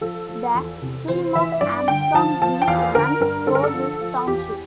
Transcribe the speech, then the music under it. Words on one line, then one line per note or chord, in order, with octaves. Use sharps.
The stream of Armstrong Creek runs through this township.
F3 A4
F3
E2
C3
E3 C5
E3 E5
E5
G2 D5
D3 G5
F3 A5
F3 A5
G5
E2 F5
D3 A#4
G2 A#4
D3 A4
A#4
A4
F3
F3
E2 G4